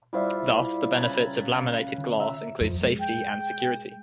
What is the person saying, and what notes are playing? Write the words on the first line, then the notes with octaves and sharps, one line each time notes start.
Thus, the benefits of laminated glass include safety and security.
G3 E4 F4 C5 D5 E5
C#3 B4 A#5 B5 G#6 A6
D3
E5 A#5
F2 F3
G#3
G5